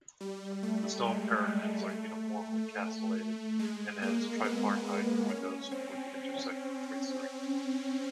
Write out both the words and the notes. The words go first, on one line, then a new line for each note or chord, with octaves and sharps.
The stone parapets are uniformly castellated and it has tripartite windows with intersecting tracery.
G3
A3
G#3
G3
A3
G#3
A#3
B3
B3
C#4
C4